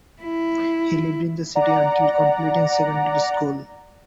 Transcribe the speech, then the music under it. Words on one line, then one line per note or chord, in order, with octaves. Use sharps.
He lived in the city until completing secondary school.
E4
D5 F#5 A#5